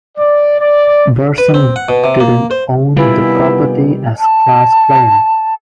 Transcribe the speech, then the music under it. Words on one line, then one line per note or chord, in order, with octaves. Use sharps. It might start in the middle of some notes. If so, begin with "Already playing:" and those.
Bursum didn't own the property as Klass claimed.
D5
D5
B4
C4
F#5
B2
C3
A#3
C5
C3 D#3 G3 B3 E4 F4 B4 G#5
A5